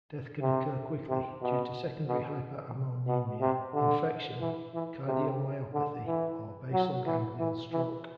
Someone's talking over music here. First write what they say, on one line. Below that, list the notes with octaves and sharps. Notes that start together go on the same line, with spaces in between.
Death can occur quickly, due to secondary hyperammonemia, infection, cardiomyopathy, or basal ganglial stroke.
C3
C3
B2
B2
B2
C3
D3
E3
E3
C3
D3
E3
F#3
E3
E3
E3